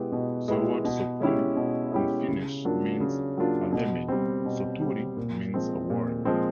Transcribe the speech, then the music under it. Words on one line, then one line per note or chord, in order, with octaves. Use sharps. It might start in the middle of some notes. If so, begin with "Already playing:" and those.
The word "sopuli" in Finnish means a lemming, "soturi" means a warrior.
Already playing: B2 G#3 B3 E4 G4
B2
G#3 B3 E4 G4
B2
G#3 C#4 E4 G4
B2
G#3 C#4 E4 G4
C#3
F#3 A#3 D4 F4
C#3
F#3 A#3 D4 F4
B2
G3 C4
B2
G3 C4
A#2
F3 G#3 C4
A#2
F3 G#3 C4